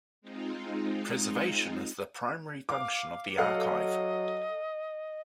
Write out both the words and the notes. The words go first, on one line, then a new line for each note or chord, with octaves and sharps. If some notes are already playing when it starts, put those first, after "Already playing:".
Preservation is the primary function of the Archive.
G#3 C4 D#4 F4
F5 D6
F#3 A4 D#5 F5 F#5